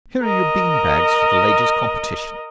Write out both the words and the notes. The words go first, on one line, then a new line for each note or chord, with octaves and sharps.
Here are your bean-bags for the Ladies' Competition.
A#4 D#5